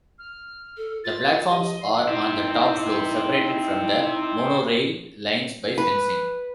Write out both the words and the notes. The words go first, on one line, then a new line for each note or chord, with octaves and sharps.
The platforms are on the top floor, separated from the monorail lines by fencing.
F6
A4
F4 A6
G4 D#5
D5 C6
C4 D#4 E4 G4
B4